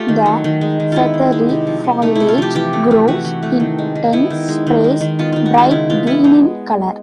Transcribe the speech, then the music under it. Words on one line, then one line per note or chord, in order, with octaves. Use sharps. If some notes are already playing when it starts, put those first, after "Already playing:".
The feathery foliage grows in dense sprays, bright green in color.
Already playing: A3 F4 G4
D#3
F#3
D#3
G#3
D#3
B3 E4 F4
D#3
G#3
C3
F3
C3
A3 D#4
C3 E4
F4
F3 G4
E3 G4
A3
A3
E3 F#4
E3
A3
D#3
G#3
D#3
B3 E4
D#3
G#3
D#3
G#3
D#3
B3 F4
D#3 F4
F#4
G#3 F4
C#3 E4
E3 F4
B3 E4
G#3 D#4